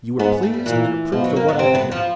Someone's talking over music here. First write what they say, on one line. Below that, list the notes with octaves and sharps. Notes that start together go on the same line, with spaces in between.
You were pleased and approved of what I had done.
G#2 B3
A3
G3
A#2 E3
B2 F3
F#3
A#3
B3
C3 C4
B3
F3